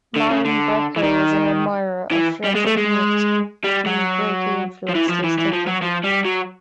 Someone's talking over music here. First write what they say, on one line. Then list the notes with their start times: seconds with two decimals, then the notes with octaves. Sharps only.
Maurenbrecher was an admirer of Friedrich Nietzsche, who greatly influenced his thinking.
0.16 D3
0.30 C#3
0.45 D3
0.96 E3
1.03 D#3
2.11 E3
2.44 G3
2.55 G#3
2.66 A3
2.77 G#3
3.64 G3
3.86 F#3
4.89 F3
4.95 E3
5.09 F3
5.24 E3
5.38 E3
5.53 F3
5.67 F#3
5.82 F3
6.04 G3
6.25 F#3